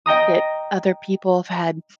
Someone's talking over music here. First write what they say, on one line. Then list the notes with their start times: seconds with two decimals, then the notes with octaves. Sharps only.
that other people have had
0.06 D#5 G5 A#5 D#6